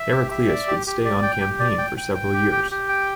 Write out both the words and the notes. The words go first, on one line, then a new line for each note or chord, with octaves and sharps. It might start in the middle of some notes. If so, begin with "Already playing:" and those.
Heraclius would stay on campaign for several years.
Already playing: E5
G4
E5
D5
G4
G4
D5
G5
G4
D5
G5
G5
G5
G4
G4
G4
G5